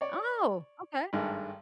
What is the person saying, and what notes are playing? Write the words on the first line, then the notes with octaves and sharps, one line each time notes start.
Oh, okay.
C#5 D5
G#1 G2 D#3 G#3 A3